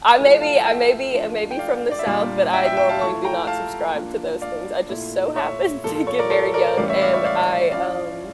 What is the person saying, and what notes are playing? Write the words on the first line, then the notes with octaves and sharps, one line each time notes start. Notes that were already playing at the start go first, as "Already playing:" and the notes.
I may be I may be I may be from the South, but I normally do not subscribe to those things, I just so happened to get married young and I, um
F3 A3 E4
F5 A5
E5 G5
F3 A3 D4
G5
D5 F5
D5
E5
A#2 G3 D4 D5 F5
E5 G5
E5 G5
E5 G5
F5 A5
F3 A3 E4 A5 C#6
G5 A#5
F5 A5
F3 A#3 D4
D5 F5
A#2 A3 E4
C#5 E5
A#2 F3 A#3 A4
A4
A4 C#5
A#4 D5
A4 C#5
A#4 D5
A2 E3 G3 C#4 D5 F5
C#5 E5
D5 F5
C#5 E5
D5 F5
F3 C#4 E4 D5 F5